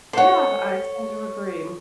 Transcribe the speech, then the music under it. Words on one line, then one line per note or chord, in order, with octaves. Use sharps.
Yeah, I tend to agree
A4 C5 C#5 F#5